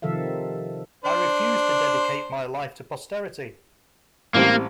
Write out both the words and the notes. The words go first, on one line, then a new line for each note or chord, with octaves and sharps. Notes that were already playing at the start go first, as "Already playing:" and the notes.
I refuse to dedicate my life to posterity.
C3 D#3 F3 A4 E5 F5
D4 C5
A1 G3 A#3 C4